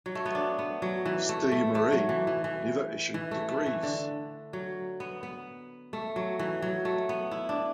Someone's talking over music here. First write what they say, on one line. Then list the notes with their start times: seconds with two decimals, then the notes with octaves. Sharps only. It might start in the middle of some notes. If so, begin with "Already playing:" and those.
Ste-Marie never issued degrees.
0.06 F#3
0.15 A3
0.26 B3
0.35 D4
0.59 B3
0.82 F#3
1.05 E3
1.29 A3
1.52 A3
1.75 A3
1.92 F#3
2.09 E3
2.27 E3
2.44 E3
3.14 E3
3.31 A3
3.49 A3
3.66 E3
3.83 D3
4.53 F#3
5.00 B3
5.23 B3
5.93 A3
6.16 F#3
6.39 E3
6.62 F#3
6.85 A3
7.09 B3
7.31 E4
7.49 D4